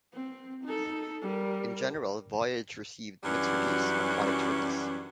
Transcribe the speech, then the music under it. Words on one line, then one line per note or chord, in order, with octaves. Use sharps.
In general, "Voyage" received mixed reviews upon its release.
C4
D#4 A4
G3 A#4
F#2 E3 F#3 G3 C#4 D4